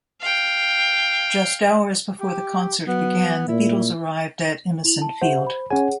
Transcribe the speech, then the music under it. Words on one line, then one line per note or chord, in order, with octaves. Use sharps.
Just hours before the concert began, the Beatles arrived at Imeson Field.
F5 G5
G4
F#3 B3
A#2 E4
E4 F7 F#7
A5
G4 C5 E5 F#5
B5
C#4 G#4 C#5 F#5 G#5